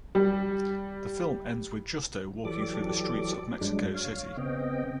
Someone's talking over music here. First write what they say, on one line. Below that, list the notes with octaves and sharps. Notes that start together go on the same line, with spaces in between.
The film ends with Justo walking through the streets of Mexico City.
G3
E3 F#3 G4 A4 D5 D6
G2 F#3 G#3 D4
C#5 F5
C#3 B3 C4 D#5 G5